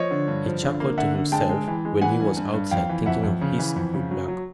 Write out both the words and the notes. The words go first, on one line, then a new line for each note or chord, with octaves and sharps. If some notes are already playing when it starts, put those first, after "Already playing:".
He chuckled to himself when he was outside, thinking of his good luck.
Already playing: F3 C#5 D#5
D3
G2
F3
D3
A#3
D3 E5 F#5
D3
G#3 G5 A5
G#3
E3
G#3
E3 F#5 G#5
G2
G2
G2
F2 F5 G5
E3
F2 E5 F#5
F2
C#3
E3
F2
C#3
F#3
F#3